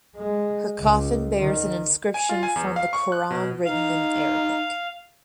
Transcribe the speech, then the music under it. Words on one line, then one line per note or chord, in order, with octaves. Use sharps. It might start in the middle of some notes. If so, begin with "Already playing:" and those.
Her coffin bears an inscription from the Quran written in Arabic.
G#3
C#2
D#3
G#5
F4
G#5
E2
F5
C#6
F#6
B2
D#4 F5